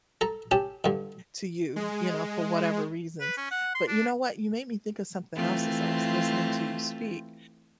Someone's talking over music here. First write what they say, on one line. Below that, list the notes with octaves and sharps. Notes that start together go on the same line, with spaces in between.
to you, you know, for whatever reasons, but you know what, you made me think of something else as I was listening to you speak,
A4 A#5
C#4 G4 A5
G2 D3
G#3
B4
C#4
F#5
C6
D4
E3 A3 C4 F4